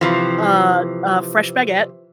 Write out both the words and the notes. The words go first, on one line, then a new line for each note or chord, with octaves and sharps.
a a fresh baguette,
C3 E3 F3